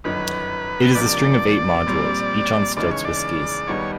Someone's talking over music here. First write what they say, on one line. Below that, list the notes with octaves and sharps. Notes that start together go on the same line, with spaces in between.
It is a string of eight modules, each on stilts with skis.
G1 F#2 D#3 B4
C#2 C3 F3 A#3 D4 D5
A#2 G3 C4
D#2 C#3 E3 G#3 D5
C#5
D5
D#2 D#3 G3 B3 C#5